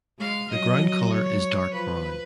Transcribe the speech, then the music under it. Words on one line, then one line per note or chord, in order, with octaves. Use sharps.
The ground colour is dark brown.
G#3 F5
F#3 D#5
C#5
F3 B4